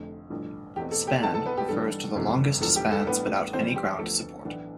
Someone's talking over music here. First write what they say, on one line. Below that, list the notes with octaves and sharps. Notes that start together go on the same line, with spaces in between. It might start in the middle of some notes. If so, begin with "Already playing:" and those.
"Span" refers to the longest spans without any ground support.
Already playing: F1 F2 D3 A3
A1 G2 D3 F3
E2 B2 A3 C4 G4
A4
G4 G5
B1 B2 A3 C4 A4 A5
A4 A5
B3 B4
G4
G2 E3 G3 D4 A4
G1 F2 C3 E3 A3
E1 E2 D3 F3 A4
G4
A4
A1 A2 G3 B3 D4 B4
F2 E3 G3 C4 C5
G4
D2 D3 F3 B3 A4
B1 A2 E3 B3 D4